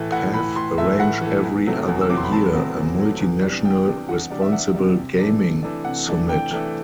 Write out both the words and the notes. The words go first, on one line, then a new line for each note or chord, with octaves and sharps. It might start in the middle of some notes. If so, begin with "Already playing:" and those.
Paf arrange every other year a multi-national Responsible Gaming Summit.
Already playing: A2 E3 A3
A2 F#5
E3 A3 B5
A2 C6
E3 A3 E5
A2 F#5
E3 A3
E2
C3 F#3 A3 C4
E2
E6
C3 F#3 A3 C4 D6
C6
B5
E2 A5
C3 F#3 A3 C4
E2
C3 F#3 A3 C4
E2
C3 G3 D4
E2 G5
C3 G3 D4
E2 F#5
C3 G3 D4
E5
E2 F#5
C3 G3 D4
C3
E3 A3 D4
C3
E3 A3 D4
C3 F#5
E3 A3 D4
C3 G5
E3 A3 D4